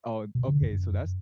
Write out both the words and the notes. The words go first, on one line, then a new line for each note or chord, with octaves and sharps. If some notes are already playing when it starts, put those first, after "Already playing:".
Oh, an okay, so that's
B2
D3
F#2